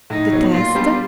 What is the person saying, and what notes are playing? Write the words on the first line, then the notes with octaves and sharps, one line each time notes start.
"The test?"
A2 D#4
F#3 B3
A#2 F4
G3 B3 D4 G4